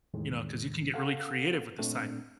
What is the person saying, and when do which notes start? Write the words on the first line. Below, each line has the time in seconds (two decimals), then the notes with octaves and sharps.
You know, 'cause you can get really creative with the side
0.14 E2 A2 D#3 G#3
0.94 A4 F5 F#5
1.79 A#2 A3 C4 D4